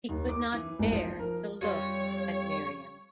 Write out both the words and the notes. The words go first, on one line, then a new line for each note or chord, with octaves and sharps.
He could not bear to look at Miriam.
D#2
D6
E3
G#1
F3
A#4
F2 G3 F4 C#5